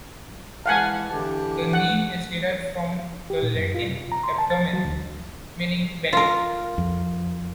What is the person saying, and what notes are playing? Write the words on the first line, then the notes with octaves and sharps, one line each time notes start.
The name is derived from the Latin "abdomen", meaning belly.
E3 G#3 F5 F#5 G#5 A5
D3 E3 G4
F#5
G4
A#2
F#2
F4
C3
A#5
C6
A5
A6
F#3
D2
F4 A#4
F2